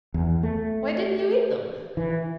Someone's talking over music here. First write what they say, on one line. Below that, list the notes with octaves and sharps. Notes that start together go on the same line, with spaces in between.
"Why didn't you eat them?"
E2
A3
E3